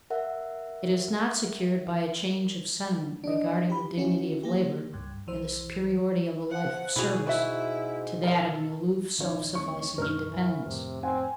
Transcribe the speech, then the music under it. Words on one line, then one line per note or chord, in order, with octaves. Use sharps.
It is not secured by a change of sentiment regarding the dignity of labor, and the superiority of a life of service to that of an aloof self-sufficing independence.
A#4 E5 F#5
D4 D#5
G4 B5
C#4 E4 F#4
A#3 G4
C#2 G2
B1 E3 C5
F3 F#5
B2 E4 F#4 G#4
G#2 E4 F#4 E5
A4 A#4 F5
A#1 D#3 C#5
D2 A3 C4 C#6
F#2 B2 A#4 F6
E3
F2 A2 C3
C4 F#5 G#5